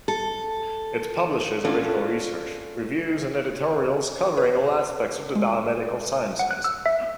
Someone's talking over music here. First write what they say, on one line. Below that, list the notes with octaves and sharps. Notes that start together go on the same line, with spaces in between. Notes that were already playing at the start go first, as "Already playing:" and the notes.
It publishes original research, reviews, and editorials covering all aspects of the biomedical sciences.
A4
C#4 D4 F4 F#4 A4
B4
G#3
F#5
F#6
E6
E5